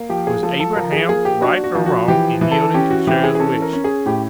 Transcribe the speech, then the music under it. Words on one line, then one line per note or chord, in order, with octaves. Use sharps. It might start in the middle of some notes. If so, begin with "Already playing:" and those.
Was Abraham right or wrong in yielding to Sarah's wish?
Already playing: A#3
F3 G4
G#4
F3 A4
A4
F3 A#4
G#4
A#3 G#4
G4
D4 F#4
F#4
F3
F#4
E3 G4
E3
A4
C#4 G4
F#4
E3 G4
G#4
G#4
C#4 A4
A#4
C#4
G#4
A2 G4